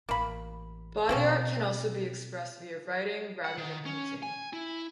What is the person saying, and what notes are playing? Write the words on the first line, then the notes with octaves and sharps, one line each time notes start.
Body art can also be expressed via writing rather than painting.
A1 A#3 B5
B2 F3 C4 C#4 D#4
F#5
D#3
C#4
G#5
E4